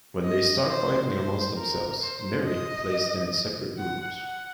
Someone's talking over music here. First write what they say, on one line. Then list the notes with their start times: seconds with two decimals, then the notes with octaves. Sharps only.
When they start fighting amongst themselves, Mary places them in separate rooms.
0.24 D#5
0.68 C5
1.12 C5
1.56 A#4
2.00 C5
2.44 D#5
3.77 F#5
4.22 F#5